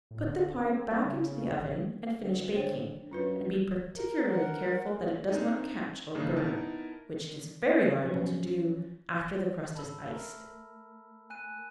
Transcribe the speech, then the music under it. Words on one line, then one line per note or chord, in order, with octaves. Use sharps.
Put the pie back into the oven, and finish baking, and be particularly careful that it does not catch or burn, which it is very liable to do after the crust is iced.
A2
D3
C4
G3
C#3
C#3
C#3
A1
D2
D3 C5 C#5 G5
F#2 D4 F4 B4
A#4
A#4 F#5
E2
C4 D4 D#4
G2 C#3 A#3 D4 D#4
B3 D#4 E4 A#4 A5
F3 F#3 C#4
G#1 A5 B5 E6
A3 A#4
G#5 F#6 D#7